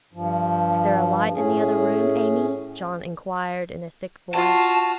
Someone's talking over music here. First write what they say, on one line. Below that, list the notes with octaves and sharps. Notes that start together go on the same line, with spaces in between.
'Is there a light in the other room, Amy?' John inquired in a thick voice.
G2 F3
A2 C#4 G#4
F4 F#4 A5